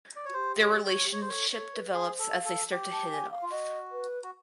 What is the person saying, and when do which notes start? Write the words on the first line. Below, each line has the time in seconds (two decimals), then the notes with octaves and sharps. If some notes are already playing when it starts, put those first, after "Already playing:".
Their relationship develops as they start to hit it off.
0.16 D5
0.25 C#5
0.29 F#4
0.34 G4 C5
0.60 C#5
0.87 C#5
1.03 G4
1.13 G#4 C#5
1.22 C5
1.29 A4 A#4 C#5
1.52 A4 C#5
1.73 B4
1.93 G#4 C5
2.19 A4
2.32 F5
2.45 A4
2.72 G4
2.92 A5
3.12 G#5
3.31 F5
3.42 F4
3.51 F#4 D#5
3.92 B4
4.23 F#4